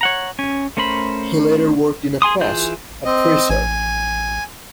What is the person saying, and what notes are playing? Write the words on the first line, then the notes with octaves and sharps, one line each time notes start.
He later worked in a press at Thrissur.
C#5 F#5 A#5
C#4 G#5
A3 C#4 A#4 C5 B5
G#4 G#5 C6 D#6
E3 F4 G#4 G6
C4 D#5
A1 G#5